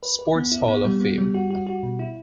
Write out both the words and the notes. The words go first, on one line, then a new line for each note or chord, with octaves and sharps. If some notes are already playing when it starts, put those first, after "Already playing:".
Sports Hall of Fame.
B4
B4
B3
E4
B3
G3
B3
G3
F#4
F#4
F#4
B2
E4